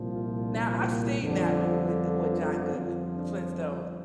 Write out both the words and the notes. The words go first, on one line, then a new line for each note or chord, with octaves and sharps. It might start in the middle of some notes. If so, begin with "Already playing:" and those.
Now, I've seen that one with with John Goodwin, the Flintstones.
Already playing: C2 A#2 F3
F4
D4
A#3
G1 F2 D3 F3 D4
F4
G1 F2 F3 F4
D4